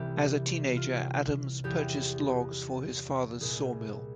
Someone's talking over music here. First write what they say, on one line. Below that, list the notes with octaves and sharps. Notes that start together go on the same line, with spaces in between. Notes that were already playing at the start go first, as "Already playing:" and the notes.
As a teenager Adams purchased logs for his father's sawmill.
Already playing: C2 C3 E3 G4
F4
E2 E3 G4
C2 A#2 G#4